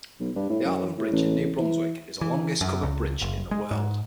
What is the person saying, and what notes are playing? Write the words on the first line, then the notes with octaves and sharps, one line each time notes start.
The Hartland Bridge in New Brunswick is the longest covered bridge in the world.
B1
G2
A2
F#2
A2
A1
E3
E3
F#2
C#2
F#1
G#3
G#2